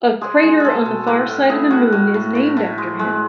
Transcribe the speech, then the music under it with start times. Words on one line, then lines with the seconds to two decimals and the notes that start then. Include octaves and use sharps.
A crater on the far side of the Moon is named after him.
0.21 G#3 G#4
0.43 G#3
0.60 G#3 G#4 A4
0.85 B2
1.06 A2 B4
1.29 A2
1.50 A2 G#4
1.71 A2 F#4
1.92 A2
2.14 A2
2.35 A2
2.57 A2
2.78 G#3
2.99 G#3